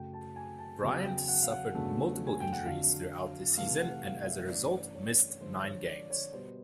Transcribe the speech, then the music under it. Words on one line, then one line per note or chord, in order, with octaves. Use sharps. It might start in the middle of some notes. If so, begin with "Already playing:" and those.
Bryant suffered multiple injuries throughout the season and as a result, missed nine games.
Already playing: F#2 C#3 F#3 A3 G5
A5
G#5
A5
E2 C#3 F#3 G#5
G5
F#5
F5
F#5
E2 C#3 F#3 A3 D4
G#5
G5
F#5
F2 D3 F#3 F5
C3 E3 A3 F5
F#5
F5
E5
G2 E3 A3 C#4 D5
C#5
C#5
D3 F3 G#3 C5
C#5
D5
C#5
B2 G3 B3 C5